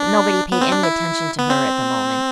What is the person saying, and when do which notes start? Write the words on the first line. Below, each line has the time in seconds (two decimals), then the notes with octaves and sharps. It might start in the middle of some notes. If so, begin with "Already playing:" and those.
But nobody paid any attention to her at the moment.
Already playing: D4
0.52 B3
0.61 C4
0.72 D4
0.83 E4
1.39 B3
1.50 C4